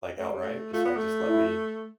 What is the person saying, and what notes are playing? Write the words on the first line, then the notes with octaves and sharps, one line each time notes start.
Like, outright. Just, like, just let me
A3
G3
A3
A3 F4
B3
A3
E4